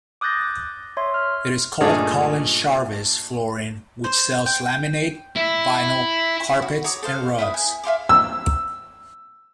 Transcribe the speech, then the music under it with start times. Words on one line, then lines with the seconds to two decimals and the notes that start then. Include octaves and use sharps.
It is called Colin Charvis Flooring which sells laminate, vinyl, carpets and rugs.
0.21 D6 D#6 F#6 G6 A6 A#6
0.97 C#5 E5 C6
1.14 F6
1.81 G2 A#2 A3 D4 D#4 G#4
4.04 C5
4.46 G5
5.36 E4
6.62 F#4
6.84 C#5 A#5 D6 D#6
7.03 A4 C5 F5
7.39 E4 B4 D#6
7.54 G#5
7.83 E5 F5 C6 D6
8.09 E6